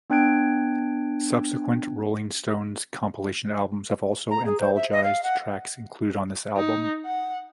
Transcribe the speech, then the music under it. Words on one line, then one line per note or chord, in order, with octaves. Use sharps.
Subsequent Rolling Stones compilation albums have also anthologised tracks included on this album.
B3 D4 G5 F#6 G#6 D7
A#5
G#4
C5
E5
D#5
F5
F#5
D#4
F#5